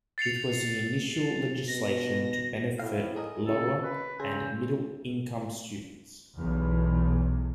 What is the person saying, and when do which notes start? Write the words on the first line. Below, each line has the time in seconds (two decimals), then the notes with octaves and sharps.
It was the initial legislation to benefit lower- and middle-income students.
0.18 A6 C7 C#7 F7
1.68 B2 A#6
2.79 A2 F5
3.16 G#4 A#4 D#5
3.47 C#3 A4
3.83 B4
4.20 C#3 C4 G#4
6.38 B1 E2